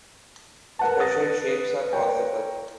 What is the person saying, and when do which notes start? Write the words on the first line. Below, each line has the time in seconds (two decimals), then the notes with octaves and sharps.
Special shapes are possible.
0.79 A#4 B4 F#5 A5
1.00 D#6 A6 A#6
1.93 A#4 C#5 G5